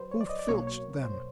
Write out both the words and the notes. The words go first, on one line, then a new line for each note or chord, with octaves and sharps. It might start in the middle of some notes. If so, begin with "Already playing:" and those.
Who filched them?
Already playing: F#3 B4 C5
C#5
D5
D#5
D5
B1 B2 F#3 A#3 C#5
C#5
C5